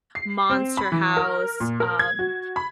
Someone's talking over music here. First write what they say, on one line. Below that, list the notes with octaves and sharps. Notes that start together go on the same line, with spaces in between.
Monster House, um,
C7
C4
B5
E3
A#4
A#2
A#4
G#6
F#4
B5